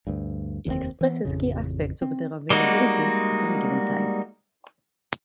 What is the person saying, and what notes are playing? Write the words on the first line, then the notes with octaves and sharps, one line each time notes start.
It expresses key aspects of their availability at any given time.
D2 G2
F1 D#2 G#2 C4
E3 B3
A1 F2 C#3
C4
G3 G#3 A#3 D#4 F#4